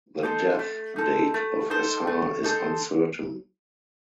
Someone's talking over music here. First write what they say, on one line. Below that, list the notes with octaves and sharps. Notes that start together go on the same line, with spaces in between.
The death date of Assar is uncertain.
D#4 A4 C5
A3
D#4 A4 C5
A3
D#4 A4 C5
A3
D#4 A4 C5